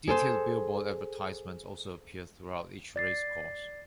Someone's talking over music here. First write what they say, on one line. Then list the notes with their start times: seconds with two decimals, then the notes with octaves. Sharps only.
Detailed billboard advertisements also appear throughout each race course.
0.08 G#4 A4 C5
2.96 D5 A6 C7